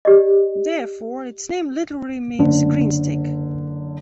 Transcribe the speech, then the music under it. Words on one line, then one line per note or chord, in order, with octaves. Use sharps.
Therefore, its name literally means green stick.
G4 D5 D#5
F#1 D3